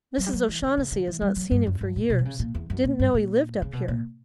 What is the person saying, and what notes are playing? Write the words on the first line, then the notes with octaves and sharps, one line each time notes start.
Mrs. O'Shaughnessy has not seen him for years,--didn't know he lived up here.
F#3
G3
F#3
E3
D3
C#3
D3
E3
G3
F#3
G2
F#2
G2
A#2
B2
D3
C#3
A#2
E2
F#2
A#2
G2
A#2
C#3
B2
A#2